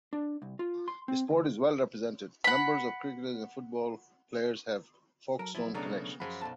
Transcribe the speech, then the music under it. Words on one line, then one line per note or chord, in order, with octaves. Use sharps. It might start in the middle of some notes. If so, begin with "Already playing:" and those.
Sport is well represented: numbers of cricketers and football players have Folkestone connections.
D4
C2
F4
C6
C4
D2
F#5 B5
F#3 A4 A#4
F3 E4
B1 C#3 F#3 A3 B3 D4 A4
F#2 F3 G#4 C5 F5 F#5 B5
B1 A4 A5